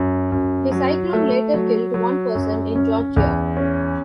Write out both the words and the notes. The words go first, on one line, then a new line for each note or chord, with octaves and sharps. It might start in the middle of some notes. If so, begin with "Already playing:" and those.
The cyclone later killed one person in Georgia.
Already playing: F#2
F#2
F#3
A3
F#3
F#3
F#2
C#4
E2
C#4